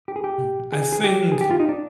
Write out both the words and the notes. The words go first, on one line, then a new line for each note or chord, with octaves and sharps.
Hmm, I think
G4
G#4
G4
G#4
G#4
G4
G#4
G4
F4
D#4
D4